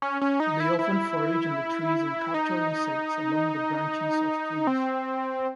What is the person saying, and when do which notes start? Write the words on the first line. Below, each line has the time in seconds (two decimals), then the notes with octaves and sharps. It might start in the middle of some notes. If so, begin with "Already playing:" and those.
They often forage in the trees and capture insects along the branches of trees.
0.02 C#4
0.21 C#4
0.40 D#4
0.60 E4
0.79 E4
2.34 D#4
4.67 C4